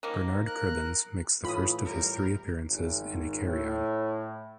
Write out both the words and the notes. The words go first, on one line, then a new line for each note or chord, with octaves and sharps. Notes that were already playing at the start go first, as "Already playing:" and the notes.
Bernard Cribbins makes the first of his three appearances in a Carry On.
D#3 F3 A#3
A#4 F#6
A2 E3 F4 B5 D#6
G3 A#4
G#1
A2